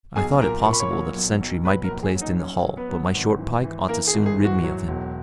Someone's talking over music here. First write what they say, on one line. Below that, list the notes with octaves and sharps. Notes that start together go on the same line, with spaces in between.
I thought it possible that a sentry might be placed in the hall, but my short pike ought to soon rid me of him.
B1 G#4 G#5
A#2 A#4 A#5
A#2 C#6
B5
C#5 C#6
F#3
B1
B1
F#3 B4 B5
A#4 A#5
A#1
G#4 G#5
F#3
D#4 D#5
F#3 C#4 C#5
F#3
B3 B4
F#3
G#1
E3
E3
E3 A#3 A#4
G#4
G#1
G#4
E3
F#4
F#3
E1